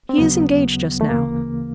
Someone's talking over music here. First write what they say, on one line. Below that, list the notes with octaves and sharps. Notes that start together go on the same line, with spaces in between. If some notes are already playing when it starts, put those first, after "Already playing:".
He is engaged just now.
C4
D#2 C#3 F#3 B3
A3
D2 C#3 E3 A#3